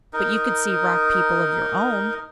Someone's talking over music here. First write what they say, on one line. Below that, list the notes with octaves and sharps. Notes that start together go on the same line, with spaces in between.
But you could see rock people of your own.
D#4 A#4